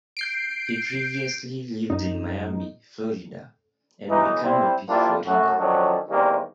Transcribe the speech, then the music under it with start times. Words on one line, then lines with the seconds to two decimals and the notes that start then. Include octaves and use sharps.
He previously lived in Miami, Florida and Micanopy, Florida.
0.17 G6 C7 D7
1.90 F#2 D#4
4.09 B1 E3 D#4
4.44 G3 C4 E4
4.89 A#1 G3 A#3 D4 E4 F4
5.26 F#2 A3 F#4
5.59 D#3 F3 F#3 C#4 D4 A4
6.10 E2 D#3 G3 G#3 A#3 C4